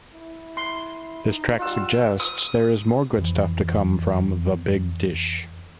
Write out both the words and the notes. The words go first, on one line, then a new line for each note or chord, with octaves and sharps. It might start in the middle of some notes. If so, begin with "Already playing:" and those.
This track suggests there is more good stuff to come from the Big Dish.
E4
C6
D#4
G3 F4 F#5 E6
D#6
F2 E3